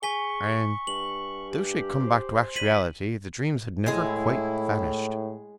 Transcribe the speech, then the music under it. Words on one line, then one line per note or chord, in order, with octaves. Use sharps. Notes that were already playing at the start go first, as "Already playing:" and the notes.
And, though she had come back to actuality, the dreams had never quite vanished.
G#4 G#5 C#6 B6 G7
G2 F#7
G4
C5
A#2 G3 B6 D#7 F#7
A2 G#3 E4 G#4